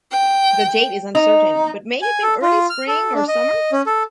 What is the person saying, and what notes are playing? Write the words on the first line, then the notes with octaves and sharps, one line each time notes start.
The date is uncertain, but may have been early Spring, or summer.
G5
D#4
G#5
A4
F4
F6
A4
D4
D#5
C#4
A4